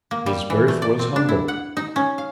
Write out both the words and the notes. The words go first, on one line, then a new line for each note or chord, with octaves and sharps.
His birth was humble.
A#3
G3
E3
A3
D5
C4
D4
E4
F#5
D#4
C#4
F5